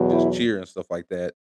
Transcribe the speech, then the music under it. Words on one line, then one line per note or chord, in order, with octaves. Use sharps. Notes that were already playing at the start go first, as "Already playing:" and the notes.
just cheer and stuff like that,
Already playing: E2 B2 F#3
E4